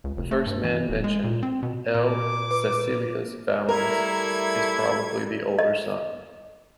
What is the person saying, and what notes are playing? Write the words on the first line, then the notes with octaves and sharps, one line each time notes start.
The first man mentioned, L. Caecilius Valens, is probably the older son.
C#2
F1
A3
G2
E3
D#1
G#3
A#2
C4
B2
A#2 D6
B4
G3 A3 E4 A#4 G#6
D#5